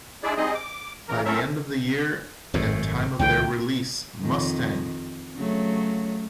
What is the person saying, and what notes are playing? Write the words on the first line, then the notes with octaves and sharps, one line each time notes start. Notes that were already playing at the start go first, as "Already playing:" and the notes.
By the end of the year and time of their release, Mustang!
G#3 D4 E4 G#4 D5
G3 C4 D#4 G#4 D#5
D6
C#3 E3 A#4
F#3 C4 C#4 A4 A#4 E5
G#1 F#2 A2
C#2 D3 E3 G5
F2 D#3
C#3 F#3 A3